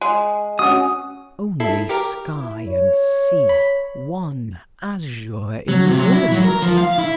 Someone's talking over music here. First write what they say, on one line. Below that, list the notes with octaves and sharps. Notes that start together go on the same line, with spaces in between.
Only sky and sea,--one azure enormity...
G#3
C#4 F#4 D#6
E4 A4 C7
G4 A#4
E4
C#5
B5
F#3
C3
F#3
E4
F#3
A#4
F3
F5
E4